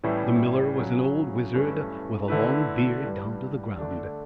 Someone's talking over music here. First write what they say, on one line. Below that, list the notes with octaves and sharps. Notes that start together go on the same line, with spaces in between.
The miller was an old wizard, with a long beard down to the ground.
A2 E3 G3 C#4 E4
C#3 F#3 C#4
G2 E3 A3 C#4 E4
D3 A3 E4 B4
G2 E3 G3
D3 A3 D4